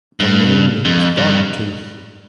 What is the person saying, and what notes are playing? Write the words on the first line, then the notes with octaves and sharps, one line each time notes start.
The name means dog-tooth.
G2
F2
G2